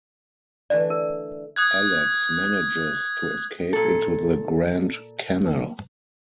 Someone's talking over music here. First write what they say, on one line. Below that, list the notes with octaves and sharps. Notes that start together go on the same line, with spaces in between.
Alex manages to escape into the Grand Canal.
D3 E3 A3 D5
A#4
D#6 F#6 G#6
A#2 A4